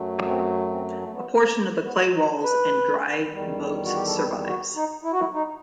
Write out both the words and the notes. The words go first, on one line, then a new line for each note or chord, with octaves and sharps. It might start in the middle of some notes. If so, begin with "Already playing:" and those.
A portion of the clay walls and dry moats survives.
Already playing: F#2 F#3 A3
C4
C4
A3
B3
B3
D#4
B4
E2 D#3 G3
F#4
G4
A4
B4
F#4
D#4
E4
F#4
E4
D#4